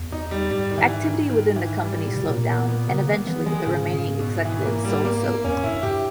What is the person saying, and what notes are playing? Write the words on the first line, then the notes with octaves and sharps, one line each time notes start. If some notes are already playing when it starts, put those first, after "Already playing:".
Activity within the company slowed down, and eventually, the remaining executives sold Soap.
Already playing: E2
D#4
G3
G#2 G3
D#3
E3
D#3
D#3
E3
G3
A#2 G3
B2
A#2 A#3
A#3
B3
C#3 A#3
D#3 B3
E3 B3
D#3 G#3
G#2 C#3
C#3
B2
E3
A#3
G3
A#3
A#3
E2 C#4
G2 E4
G2 G4